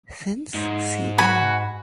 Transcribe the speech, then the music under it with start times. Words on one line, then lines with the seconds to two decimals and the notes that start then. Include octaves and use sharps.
Since ca.
0.54 G#2
1.18 F#4 G#5 B5